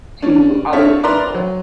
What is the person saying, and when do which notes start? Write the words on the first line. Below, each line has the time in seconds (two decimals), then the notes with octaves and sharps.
to other people
0.22 C#4 D4
0.73 C4 D4 C#5 E5 F5 A5
1.03 A#4 B4 D5 E5 A#5 C6
1.35 F#3